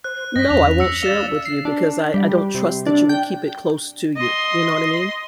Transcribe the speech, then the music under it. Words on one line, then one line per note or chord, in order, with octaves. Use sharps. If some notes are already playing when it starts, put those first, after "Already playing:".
No, I won't share it with you because I I don't trust that you will keep it close to you, you know what I mean?
C5 F#6
G2 D#5 G5 A#6 B6
E2 C#4 F7
E6 B6 C#7
D5 F5 A6 E7 G7
C7
D4
G3
G3
C3
D4
G5
D#5 C6